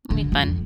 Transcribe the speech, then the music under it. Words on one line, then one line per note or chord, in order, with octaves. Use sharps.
it'll be fun.
D3
F2